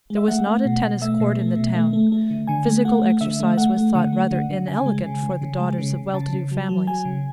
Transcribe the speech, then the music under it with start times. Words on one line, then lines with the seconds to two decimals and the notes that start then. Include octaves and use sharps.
There was not a tennis court in the town; physical exercise was thought rather inelegant for the daughters of well-to-do families.
0.10 G#3
0.17 E5
0.28 A3 F#5
0.47 A3
0.65 B2
0.83 B2
1.02 A3 E5
1.20 B2
1.39 A3
1.56 B2
1.75 A3
1.93 A3
2.12 A3
2.30 D3
2.47 D3 G#5
2.66 A3
2.85 A3 F#5
3.02 A3
3.21 D3 E5
3.40 A3
3.57 A3 F#5
3.76 A3
3.95 D3 F#5
4.13 A3
4.31 D3
4.49 D3
4.68 C#3 G#5
4.86 G#3
5.04 C#3
5.23 C#3
5.42 C#3
5.59 G#3
5.78 C#3
5.95 C#3
6.14 C#3 A5
6.33 C#3
6.51 F#3
6.69 F#3
6.87 F#3 G#5
7.05 C#3